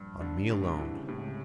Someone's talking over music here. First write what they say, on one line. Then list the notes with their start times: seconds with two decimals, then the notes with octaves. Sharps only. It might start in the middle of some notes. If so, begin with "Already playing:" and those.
On me alone.
Already playing: A#1 G2
0.21 D3
0.50 C2 A2 C3
0.79 E3
0.93 C#3
1.07 A2 C3
1.18 C#2 C#3